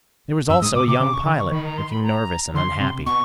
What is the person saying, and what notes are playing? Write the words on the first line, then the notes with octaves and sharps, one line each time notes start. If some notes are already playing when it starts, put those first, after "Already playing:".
There was also a young pilot, looking nervous and unhappy.
F#2 E6
G#2 D#6
B2 D6
C3 D6
C#3 D6
C#6
D3
C#6
D#3 B5
A#5
C6
B5
A#5
D3 C6
C3
B2 C#6